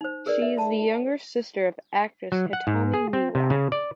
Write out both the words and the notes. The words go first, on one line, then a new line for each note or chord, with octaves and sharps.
She is the younger sister of actress Hitomi Miwa.
D#4 C5
G#4 A#4 B4 D5
E5
A5 B5
F#3
F#5
G#2
G#4
C4
C3
C#3
D5